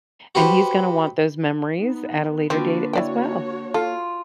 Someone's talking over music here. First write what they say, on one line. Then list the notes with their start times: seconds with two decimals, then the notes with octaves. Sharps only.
and he's gonna want those memories at a later date as well.
0.35 F#4 G4 B4 C5
1.79 B3 D#4
2.50 D3 A#3 C4 F4 F#4 B4
2.93 E4 F#4 C#5 D5 G5
3.74 F4 A4